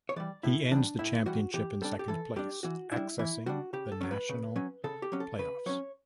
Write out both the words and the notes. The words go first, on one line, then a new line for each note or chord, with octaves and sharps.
He ends the championship in second place, accessing the national playoffs.
C#5
E3 G3 D5
A2 E4
E3 G3 D4
A2 E4
E3 G3 F#4
E3 G4
G3 D4 A4
G4
E3 A4
G3 D4 G4
E3 F#4
G3 D4 E4
E3 E4
G3 D4 F#4
C#3 G4
A4
F#3 C#4
B4
C#3
F#3 C#4
C#3 A4
G4
F#3 C#4
A4
C#3 B4
F#3 C#4 C#5